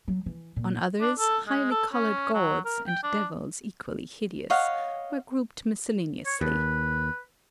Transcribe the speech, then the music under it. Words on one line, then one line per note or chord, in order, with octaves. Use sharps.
On others highly-coloured gods, and devils equally hideous, were grouped miscellaneously.
F#3
E3
A#2
D4
A4
G#3
A4
C#4
F#3
A#4
G5
D4
C#5 D#5 F5 F#5
C#5
D#2 B4